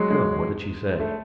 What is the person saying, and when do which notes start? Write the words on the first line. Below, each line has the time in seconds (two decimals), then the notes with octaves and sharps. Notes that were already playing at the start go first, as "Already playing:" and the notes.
"Come, what did she say?"
Already playing: F#3 G#3
0.10 G#3
0.99 A3